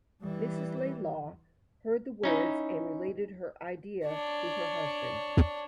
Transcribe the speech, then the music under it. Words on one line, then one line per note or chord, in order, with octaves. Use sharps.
Mrs Laidlaw heard the words and related her idea to her husband.
E3 G3
C#4 D#4 E4
D4 C#5